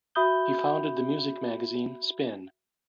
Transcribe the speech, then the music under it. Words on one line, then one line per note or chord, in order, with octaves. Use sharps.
He founded the music magazine "Spin".
F#4 E5 B5 D#6 G6 G7